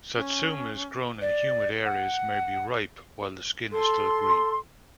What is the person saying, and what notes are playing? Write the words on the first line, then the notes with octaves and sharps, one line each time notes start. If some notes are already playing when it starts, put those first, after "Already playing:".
Satsumas grown in humid areas may be ripe while the skin is still green.
C#4
D5
F#5
A4 C6